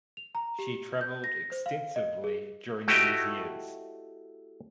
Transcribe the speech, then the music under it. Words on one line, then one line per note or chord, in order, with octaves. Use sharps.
She travelled extensively during these years.
F7
A#5
G4
G6
A#6
C5
F5
D#5
G#4
A3 E4 F#4 G4 D#5 G5